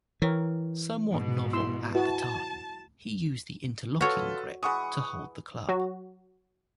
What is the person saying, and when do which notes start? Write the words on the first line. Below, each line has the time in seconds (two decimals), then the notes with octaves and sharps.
Somewhat novel at the time, he used the interlocking grip to hold the club.
0.22 E3 A#4 C#5 G5
1.10 G#2 B2
1.53 E4 C6 E6
1.95 E4 F#4 B4 A5
4.01 F4 F#4 A4 B4 C#5
4.63 E3 G#3 F#5 C#6 D#6
5.69 F#3 F#4